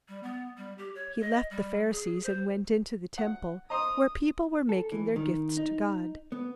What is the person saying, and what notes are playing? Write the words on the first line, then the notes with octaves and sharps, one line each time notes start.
He left the Pharisees and went into the Temple, where people were making their gifts to God.
G3
B3
G3
G4
C#5
D#5
G3
G#4
C5
F#5
C5 D#5 A#5 D#6
A4
E3
D#3
D#4
B3